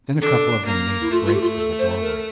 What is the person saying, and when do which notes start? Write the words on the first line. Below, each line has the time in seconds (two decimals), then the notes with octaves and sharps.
Then a couple of them made a break for the doorway.
0.21 D4 A4
0.66 A#3
1.01 E4
1.11 A3 F4
1.26 F4
1.34 G4
1.41 F4
1.56 A4
1.79 C5
2.01 A#4